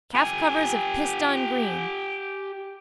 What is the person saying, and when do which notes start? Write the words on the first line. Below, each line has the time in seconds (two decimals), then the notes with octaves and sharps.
Calf covers of pissedon green.
0.15 G4 G#5